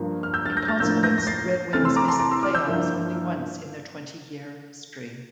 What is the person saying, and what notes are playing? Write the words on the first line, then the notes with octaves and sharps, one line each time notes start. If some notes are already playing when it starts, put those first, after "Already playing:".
In consequence, the Red Wings missed the playoffs only once in their twenty-year history.
Already playing: G2 F3 A#3
F6
E6 G6
F6 A6
G6 A#6
F6 A6
A2 F3 A#3 D4 E6 G6
G6 A#6
A#6
A6 C7
C3 E3 A3 C4 F6 A6
C6 E6
A#5 D6
A5 C6
A#5 D6
C6 E6
D6 F6
E6 G6
G2 F3 A#3 E4